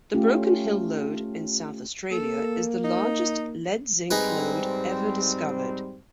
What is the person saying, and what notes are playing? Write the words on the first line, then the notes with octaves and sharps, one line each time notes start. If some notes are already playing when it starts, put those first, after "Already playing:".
The Broken Hill Lode in South Australia is the largest lead-zinc lode ever discovered.
A3 C#4 F4 G4
A#3 A4
D#4
G#2 G3 C4 D#4 G#4 B4